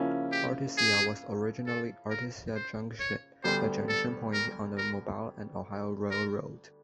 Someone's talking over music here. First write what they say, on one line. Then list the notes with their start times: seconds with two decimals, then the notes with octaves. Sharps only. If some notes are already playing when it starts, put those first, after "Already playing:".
Artesia was originally "Artesia Junction", a junction point on the Mobile and Ohio Railroad.
Already playing: C#3 F3 A#3 C#4 E4
0.32 G4
0.78 G#4
1.67 A4
2.10 A#4
2.56 C5
3.00 C#5
3.44 D2 D3 G3 B3 C5
3.89 A4
4.33 A#4
4.77 A#4
6.11 A#4